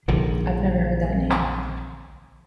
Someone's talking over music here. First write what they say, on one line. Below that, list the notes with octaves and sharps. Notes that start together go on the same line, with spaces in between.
I've never heard that name.
A#1 D3 D#3 F3